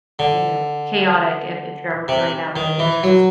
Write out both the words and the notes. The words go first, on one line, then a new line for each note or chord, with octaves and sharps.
you know, chaotic if if you're ever feeling that way, like things are just,
D3
C3
D#3
E3
F#3